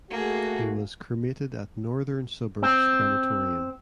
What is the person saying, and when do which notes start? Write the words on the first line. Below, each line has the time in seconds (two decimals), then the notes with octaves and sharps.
He was cremated at Northern Suburbs crematorium.
0.10 A3 A#3 F#4 G#4
2.62 C4